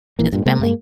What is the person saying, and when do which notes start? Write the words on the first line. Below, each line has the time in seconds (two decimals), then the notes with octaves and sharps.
to the family.
0.19 A#1 E3 A#3
0.33 G2 A#2
0.46 C3 G#3 A#3 C4
0.59 G2 G#3 A#3